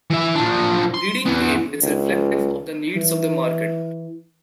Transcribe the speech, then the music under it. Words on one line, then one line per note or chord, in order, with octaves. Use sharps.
The breeding aim is reflective of the needs of the market.
E3 E5
F3 D4
C6
E3 B3
C#2
E3